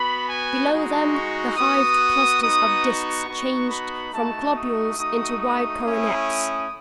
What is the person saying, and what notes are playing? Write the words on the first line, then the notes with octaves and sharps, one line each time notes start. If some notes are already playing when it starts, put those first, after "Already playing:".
Below them the hived clusters of disks changed from globules into wide coronets.
Already playing: B3 F#4 B5
G#5
G#3 D#4 F#4
C#6
B3 F#4 D#6
B3 D#4 F#4 D#6
C#6
B3 D#4 F#4
B5
A3 D#4 F#4 A5
D#6
A3 D#4 F#4 D#6
D#6
A3 C#4 E4